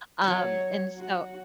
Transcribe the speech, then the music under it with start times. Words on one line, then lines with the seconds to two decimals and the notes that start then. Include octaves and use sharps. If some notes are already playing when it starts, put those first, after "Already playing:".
um, and so
0.24 F#3 C#5 A5
0.96 F#4